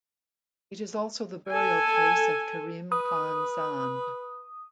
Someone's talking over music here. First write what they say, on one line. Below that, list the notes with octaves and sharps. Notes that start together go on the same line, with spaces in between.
It is also the burial place of Karim Khan Zand.
A4 G#5
B4 D#6